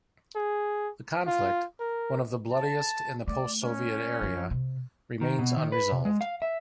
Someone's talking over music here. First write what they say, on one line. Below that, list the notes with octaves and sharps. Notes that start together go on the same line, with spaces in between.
The conflict, one of the bloodiest in the post-Soviet area, remains unresolved.
G#4
F4
A#4
A5
A3 D5
C#4
F#2 F3
C3
D#3
B2
D#3
B4
C3
G#3
F5
E5